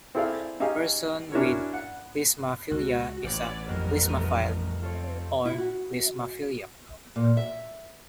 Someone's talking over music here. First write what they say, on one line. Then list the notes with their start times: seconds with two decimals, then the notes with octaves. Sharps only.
A person with klismaphilia is a "klismaphile" or "klismaphiliac".
0.15 C4 E4 G#4 A4 D5 F5
0.60 C#4 D#4 G4 G#4 F5 G#5
1.32 C#4 D4 E4 F#4 A#4 C#5
1.73 F#5
2.71 C#2 F#4 F#6
3.24 A1 G4 B4 C#5 D5 F#5 G#5
3.68 F2 F#3 G3 B3 A#4 F#6
4.08 F1 A3 D#7
4.81 C4 F4 A4 C#5
5.45 E4
5.58 F#4
7.16 A#2
7.37 E5